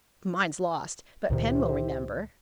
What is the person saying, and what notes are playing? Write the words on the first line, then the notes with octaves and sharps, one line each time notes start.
Mine's lost, but Pen will remember.'
C#2 A#2 D#3 E4 G4 C5